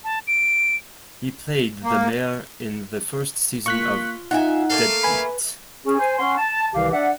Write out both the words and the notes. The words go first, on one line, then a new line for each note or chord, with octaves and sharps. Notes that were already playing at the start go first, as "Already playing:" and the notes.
He played the mayor in the first season of "Deadbeat".
A5
D7
A#3
A#3 F4 C#6 F#6 B6
D#4 F4 E5 F#5 G#5
A3 A#3 A4 F5
B4 G#5 B5
C#4 G#4
C5 G#5
C#4 F#5 C6
A5
C2 C3 D#3 E3 G4 F5
D4 D5 E5 F#5